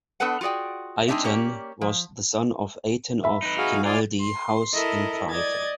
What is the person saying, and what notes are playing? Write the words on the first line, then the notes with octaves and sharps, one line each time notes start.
Ayton was the son of Ayton of Kinaldie House in Fife.
B3 D4 A4 B4 F#5
F4 F#4 G#4 D5 G5
G#3 C4 D4 D#4 D5 E5
A#3 C#4 G4 C#5 D5
F3
E5 B5
D#4 B4
F#4 G#4 F5
F4 D5 G#5
C6
E4 A4 A#4 D#5
D5 D#5 G#6 A6